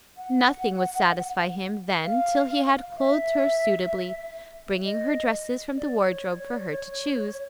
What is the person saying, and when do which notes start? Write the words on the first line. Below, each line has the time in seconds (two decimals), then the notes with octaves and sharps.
Nothing would satisfy him then till he had clothed her suitably, bringing her dresses from the wardrobe for her to choose.
0.17 F#5
2.04 F5
2.98 E5
4.84 D#5
5.77 D5
6.08 C#5
6.39 C#5
6.50 D5
6.59 C#5
6.70 C#5